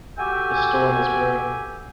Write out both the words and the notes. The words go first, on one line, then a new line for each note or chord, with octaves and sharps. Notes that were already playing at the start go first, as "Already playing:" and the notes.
A storm is brewing.
F#4 G4 A4 E5 G5 G#5